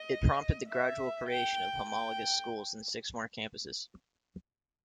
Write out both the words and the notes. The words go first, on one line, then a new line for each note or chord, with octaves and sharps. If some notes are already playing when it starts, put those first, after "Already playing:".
It prompted the gradual creation of homologous schools in six more campuses.
Already playing: D#5
E5
G5
G5